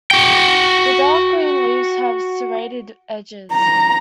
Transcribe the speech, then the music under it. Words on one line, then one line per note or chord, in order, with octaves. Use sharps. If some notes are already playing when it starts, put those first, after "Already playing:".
The dark green leaves have serrated edges.
F#4 G5
A#5